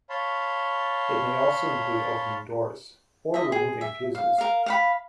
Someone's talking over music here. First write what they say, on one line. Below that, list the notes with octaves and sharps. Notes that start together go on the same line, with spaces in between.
It may also include opening doors, or removing fuses.
C#5 F5 A5 B5 C6
D#5 E5
G#4
E5
F5
A#4 F5
F5 F#5 B5